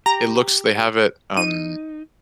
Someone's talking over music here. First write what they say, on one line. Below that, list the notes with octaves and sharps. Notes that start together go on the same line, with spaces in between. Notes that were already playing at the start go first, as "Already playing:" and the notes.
it looks they have it, um
G4 A#5
D#4 D#7